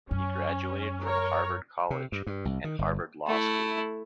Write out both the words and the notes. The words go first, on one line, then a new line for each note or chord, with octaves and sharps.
He graduated from Harvard College and Harvard Law School.
F#2 C#4
A#4 C#5
C3
G2
G2
C2
D#3
G1
A3 E4